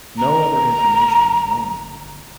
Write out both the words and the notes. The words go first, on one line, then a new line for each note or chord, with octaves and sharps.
No other information is known.
G1 A#5